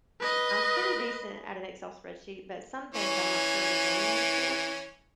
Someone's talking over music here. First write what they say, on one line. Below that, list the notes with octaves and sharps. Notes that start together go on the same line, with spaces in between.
I'm pretty decent at an Excel spreadsheet, but some things I'm not sure the formulas for.
B4 D#5
E3 C#4